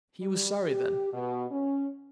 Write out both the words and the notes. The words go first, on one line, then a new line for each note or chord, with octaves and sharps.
He was sorry then.
G3
G4
B2
C#4